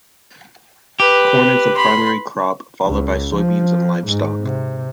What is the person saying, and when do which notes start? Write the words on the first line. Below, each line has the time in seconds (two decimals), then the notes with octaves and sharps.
Corn is the primary crop, followed by soybeans and livestock.
1.00 G4 B4
1.76 B5 C6
2.85 C#2
3.35 F3
4.07 G#2
4.42 C3